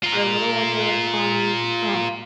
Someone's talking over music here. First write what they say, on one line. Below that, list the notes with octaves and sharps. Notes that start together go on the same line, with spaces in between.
for a little window of time, um,
F4 A#4